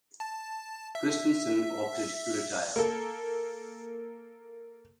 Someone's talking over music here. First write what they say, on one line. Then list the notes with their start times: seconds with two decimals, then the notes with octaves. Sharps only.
Christensen opted to retire.
0.20 A5
0.95 E5
2.76 A#3 A4